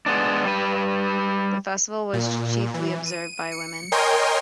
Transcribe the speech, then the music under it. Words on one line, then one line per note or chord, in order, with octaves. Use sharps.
The festival was chiefly observed by women.
G#3 B3 D4
G3 B4
A#2
E3
D#7
C#7
A#4 C#5 D#5 G5 G#5 C6